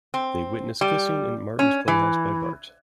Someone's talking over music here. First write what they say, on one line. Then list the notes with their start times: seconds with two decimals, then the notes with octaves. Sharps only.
They are witnessed kissing in Martin's playhouse by Bart.
0.14 C4
0.81 G3
1.59 C#4
1.88 E3